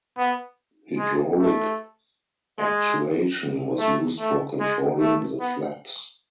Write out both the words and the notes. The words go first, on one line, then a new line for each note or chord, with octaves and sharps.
Hydraulic actuation was used for controlling the flaps.
B3
G#3
A3
G#3
A3
A3
G#3
A3
B3